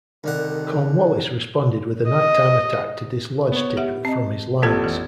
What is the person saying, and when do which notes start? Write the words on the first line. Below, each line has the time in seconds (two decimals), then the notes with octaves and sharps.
Cornwallis responded with a night-time attack to dislodge Tipu from his lines.
0.24 C2 D3 D#3 F#5
2.09 D#5
3.52 B3 C#5
3.77 G4 E5 F#5
4.05 C4 D#5 A5
4.62 A1 B3 F4 G4 A4 G#6
4.84 F2 E3